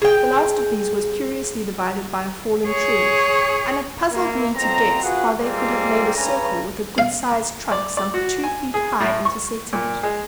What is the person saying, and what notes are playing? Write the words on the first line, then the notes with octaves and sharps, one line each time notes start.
The last of these was curiously divided by a fallen tree, and it puzzled me to guess how they could have made a circle with a good-sized trunk some two feet high intersecting it.
G#4 G5
G#4 C#5
A#3 E4
B1 F2 C4 A#5
F4 F#4 G#4 B4 F#5
G3 G#3 A#3 C4 F4
G2 C#3 B4 G#5 A#5
F5
D5
D5
F#4
G#5
G#4
A2
C#6
A#2
G#3